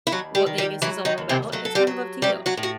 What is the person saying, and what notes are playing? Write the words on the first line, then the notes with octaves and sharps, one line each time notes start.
what Vegas is all about, it's kind of up to you.
E4
D#2 F#3 F#4
G3 G4
D#3
G3 G4
E3 F#3 E4
D#3 D#4
D#2
C3 C4
F#3 A3
A4
G3 G4
F#3
A2 G3 G4
F#3 F#4
A2
F#4